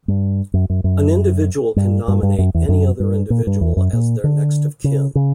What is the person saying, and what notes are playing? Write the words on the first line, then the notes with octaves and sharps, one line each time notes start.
An individual can nominate any other individual as their next-of-kin.
G2
F#2
F#2
F#2
G2
G2
G2
F#2
E2
F#2
G2
A#2
G2
E2
F#2
A#2
D3
C#3
C#3